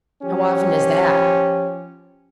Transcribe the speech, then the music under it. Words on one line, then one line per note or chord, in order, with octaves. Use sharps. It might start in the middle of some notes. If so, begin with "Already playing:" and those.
"How often is that?"
F3 C#4 G4